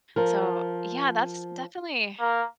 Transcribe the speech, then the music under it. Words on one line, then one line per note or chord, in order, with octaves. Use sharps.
So, yeah, that's definitely
F3 A#4
A#3